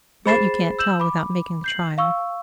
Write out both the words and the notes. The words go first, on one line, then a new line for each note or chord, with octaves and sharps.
"That you can't tell without making the trial."
G#4 C5 B5 A6 C7 E7
E6 G6 E7 F#7
B5 D6
G6 C7 F#7
F5 C#6 E6